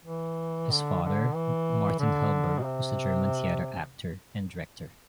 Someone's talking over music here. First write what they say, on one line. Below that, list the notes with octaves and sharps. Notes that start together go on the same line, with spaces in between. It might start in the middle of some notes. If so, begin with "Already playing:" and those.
His father, Martin Hellberg, was a German theater actor and director.
E3
D3
D3
E3
D3
B2
C3